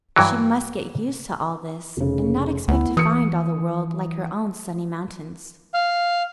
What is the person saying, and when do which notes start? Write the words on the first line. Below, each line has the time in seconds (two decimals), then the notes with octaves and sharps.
She must get used to all this, and not expect to find all the world like her own sunny mountains.
0.16 G2 E3 F#3
1.97 F1 C#3
2.68 D2 B3 E4
2.97 E3 D#6 C#7
5.74 F5